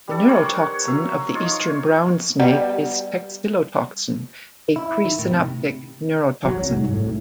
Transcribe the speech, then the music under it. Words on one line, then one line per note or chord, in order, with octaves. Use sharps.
The neurotoxin of the eastern brown snake is textilotoxin, a presynaptic neurotoxin.
G3 D4 A4
A#4 C5 C#5 F#5
F#3 E5 F5
D#4 F4 C#5
G3 B3
E4
D#3
A2
C3
F#3
C2
G#2
A2